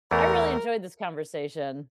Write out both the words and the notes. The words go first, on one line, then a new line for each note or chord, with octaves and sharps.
I really enjoyed this conversation.
E2 E3 A3 A#4